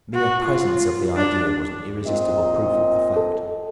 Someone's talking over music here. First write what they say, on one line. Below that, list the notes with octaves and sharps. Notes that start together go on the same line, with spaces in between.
The mere presence of the idea was an irresistible proof of the fact.
F#4
F4
D4
A#2 C4 D#5
A4